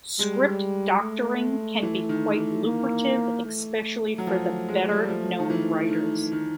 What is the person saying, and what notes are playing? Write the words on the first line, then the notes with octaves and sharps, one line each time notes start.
Script-doctoring can be quite lucrative, especially for the better-known writers.
G3 G#3
A3
E3
D#3
E3
A#3
A3
F#3
F3
G#3
G3
F3
D#3
E3
D#3
D#3